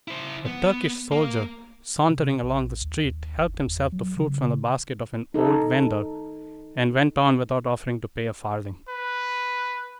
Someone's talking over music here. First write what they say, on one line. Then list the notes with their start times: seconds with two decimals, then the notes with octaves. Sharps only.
A Turkish soldier, sauntering along the street, helped himself to fruit from the basket of an old vender, and went on without offering to pay a farthing.
0.08 E4 C5
0.46 B3
1.12 A#3
2.10 C3
2.43 A#1
2.81 D#2
3.05 D#2
3.37 F#1
3.67 E2
3.92 F#3
4.16 C#3
5.34 D#4 A4
8.88 B4